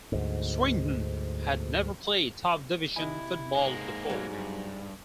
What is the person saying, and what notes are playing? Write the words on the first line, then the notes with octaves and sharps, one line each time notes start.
Swindon had never played top-division football before.
D2 G#2
C3 E4 D#5 G#5
G#2 G#3 A#3
B2 F#3 G3
G2